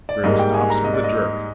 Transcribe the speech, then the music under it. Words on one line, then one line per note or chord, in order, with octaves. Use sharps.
Grim stops with a jerk.
D5
G#2 G3 A#3 D#5
G5
G#5
A#5
D#5
D5
D#5